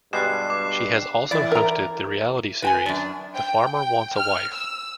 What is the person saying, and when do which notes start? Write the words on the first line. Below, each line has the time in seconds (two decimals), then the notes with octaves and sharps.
She has also hosted the reality series "The Farmer Wants a Wife".
0.13 G2 B2 G3 G#3 F#6 C7 E7
0.50 D6
1.31 E3 E4 D5
1.52 A#4 A#5
2.62 B4 G5 G#5
2.86 F#2 D4
3.35 G5
3.76 G5
4.16 F6
4.53 E6